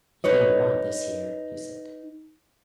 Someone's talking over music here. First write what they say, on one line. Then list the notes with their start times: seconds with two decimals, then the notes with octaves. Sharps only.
"You didn't want this here," he said.
0.24 D#4 B4 C#5 D#5